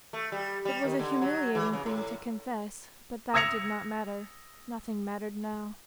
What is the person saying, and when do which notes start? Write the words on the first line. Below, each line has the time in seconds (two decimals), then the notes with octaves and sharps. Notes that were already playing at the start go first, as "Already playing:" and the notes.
It was a humiliating thing to confess, but that did not matter--nothing mattered now.
0.13 A3
0.32 G3
0.65 G3
0.84 D#3
0.99 D3
1.21 F#3
1.55 E3
1.73 C#3
1.86 A2
3.34 D#6 E6 G#6 A#6 C#7 F7